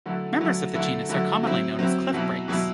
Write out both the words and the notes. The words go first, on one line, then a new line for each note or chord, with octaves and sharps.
Members of the genus are commonly known as cliffbrakes.
D3 F#3 A3 E4
D3 F#3 A3 E4
D3 F#3 A3 E4
D3 F#3 A3 E4
F#3 C4 E4
F#3 C4 E4
B2 F#3 B3 E4
B2 F#3 B3 E4